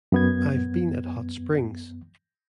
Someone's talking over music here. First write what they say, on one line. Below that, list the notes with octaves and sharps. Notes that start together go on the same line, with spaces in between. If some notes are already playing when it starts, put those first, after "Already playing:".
I've been at Hot Springs.
F#2 B3 G#6